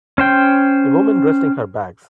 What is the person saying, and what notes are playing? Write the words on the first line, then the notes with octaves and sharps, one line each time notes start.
A woman resting her bags.
C#4 C5 G5